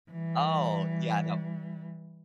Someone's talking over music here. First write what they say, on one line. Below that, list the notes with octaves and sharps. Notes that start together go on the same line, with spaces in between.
Oh, yeah, no
E3 G3